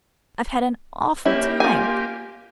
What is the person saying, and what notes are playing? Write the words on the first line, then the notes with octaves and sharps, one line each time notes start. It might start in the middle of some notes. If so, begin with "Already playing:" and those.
I've had an awful time.
A#3 C#4 E4 G4
F4 G#5